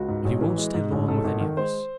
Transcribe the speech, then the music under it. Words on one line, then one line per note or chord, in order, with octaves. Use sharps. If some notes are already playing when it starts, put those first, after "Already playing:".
But he won't stay long with any of us.
Already playing: C#2 F#4
G#2
A1
E3
G#3
G#2
A1
G#2 A4
G#1
D#3
G#3 C5